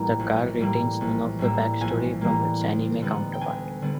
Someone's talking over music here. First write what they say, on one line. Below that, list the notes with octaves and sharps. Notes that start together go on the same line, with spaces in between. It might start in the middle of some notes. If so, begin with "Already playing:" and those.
The car retains none of the back story from its anime counterpart.
Already playing: A2 E3 G3 A#3
A#1
A2 E3 G3 A#3
A#1
A2 E3 G3 A#3 E5
A#1 G#5
A2 E3 G3 A#3
D2
D3 G3 B3 D#4
G5
D2 G#5
D3 G3 B3